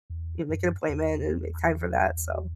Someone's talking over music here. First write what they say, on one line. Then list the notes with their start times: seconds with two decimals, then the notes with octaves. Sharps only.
you make an appointment and make time for that. So
0.10 E2
0.49 F#2
0.89 E2